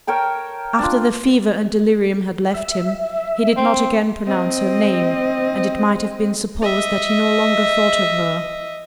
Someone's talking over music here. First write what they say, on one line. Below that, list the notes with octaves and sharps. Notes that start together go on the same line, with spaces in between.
After the fever and delirium had left him, he did not again pronounce her name, and it might have been supposed that he no longer thought of her.
A#4 C#5 G5 A5
D4 F4
E5
C4
C4 D#5
D#5 E5